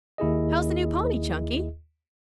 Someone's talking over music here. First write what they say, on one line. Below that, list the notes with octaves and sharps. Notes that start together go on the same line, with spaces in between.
How's the new pony, Chunky?
D#2 E4 G#4 D#5